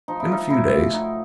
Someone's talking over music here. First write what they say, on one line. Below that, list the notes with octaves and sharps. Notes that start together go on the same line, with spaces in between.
In a few days.
F3 D#4
E4
F3 D#4
A2 E4
F3
F#3 D#4